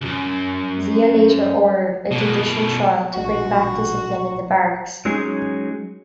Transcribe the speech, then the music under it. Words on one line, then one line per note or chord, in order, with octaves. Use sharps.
Zia later ordered a judicial trial, to bring back discipline in the barracks.
C#2 F#2
B2 A#3
A#1 B2 F#4 C#6
F#3 G#3 C#4 D#4 G#4